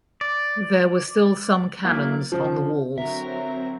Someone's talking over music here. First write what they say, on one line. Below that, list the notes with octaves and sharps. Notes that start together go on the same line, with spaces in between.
There were still some cannons on the walls.
D5
F#3 A#3 E4
C#3 F3
D3 F#3 C4 F#4 A#4 E5 A#5